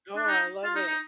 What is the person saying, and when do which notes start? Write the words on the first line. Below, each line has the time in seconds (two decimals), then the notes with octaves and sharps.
Oh, I love it.
0.16 D4
0.27 D#4
0.64 F4
0.75 D#4
0.87 D#4